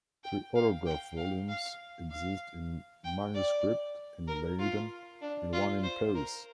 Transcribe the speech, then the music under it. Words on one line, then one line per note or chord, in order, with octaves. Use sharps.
Three autograph volumes exist in manuscript in Leiden and one in Paris.
G5
F5
G5
F5
F5
F5
G5
D5
A#4
F4
D4
F4
C5
A#4